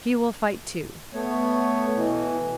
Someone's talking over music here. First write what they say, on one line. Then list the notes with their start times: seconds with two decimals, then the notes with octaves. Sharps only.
She will fight too.
1.14 A3 B3 C#5
1.96 B2 E3